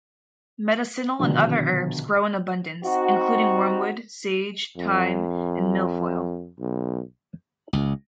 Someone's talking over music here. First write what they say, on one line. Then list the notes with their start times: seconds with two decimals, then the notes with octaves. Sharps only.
Medicinal and other herbs grow in abundance, including wormwood, sage, thyme, and milfoil.
1.19 A#1 B2 D3 D#3
2.84 C4 D#4 F#4
4.77 F2
6.59 B1
7.73 C#2